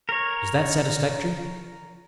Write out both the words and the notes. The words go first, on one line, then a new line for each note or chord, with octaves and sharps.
Is that satisfactory?'
A#4 C#5